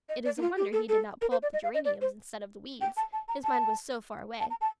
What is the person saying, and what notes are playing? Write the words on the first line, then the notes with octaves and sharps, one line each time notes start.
It is a wonder he did not pull up geraniums instead of weeds, his mind was so far away.
D#5
D5
D#4
F4
G4
A4
A4
A#4
C5
D5
D#5
F5
D#5
D5
C5
G5
A5
A5
A#5
A5
A5
A#5
A5